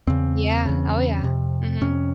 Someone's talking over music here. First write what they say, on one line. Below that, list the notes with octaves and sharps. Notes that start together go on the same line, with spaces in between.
Yeah. Oh, yeah. Mhm.
E2 C#3 C4
E2 C#3
F2 C3
F2 C3 C#4